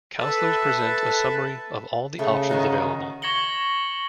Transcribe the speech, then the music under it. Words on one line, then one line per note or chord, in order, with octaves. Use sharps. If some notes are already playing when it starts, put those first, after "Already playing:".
Counselors present a summary of all the options available.
A4 B4 E5 A5
C#3 A3
D#3 D#4 F#4
C#6 G#6 A#6 C#7 F#7 G7